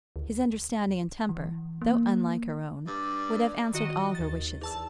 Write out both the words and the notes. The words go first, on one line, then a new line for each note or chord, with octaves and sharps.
His understanding and temper, though unlike her own, would have answered all her wishes.
D2
E3
A#3
G2 D5
D#3 F#4 D#5
D#2 A6
E2 A5 E6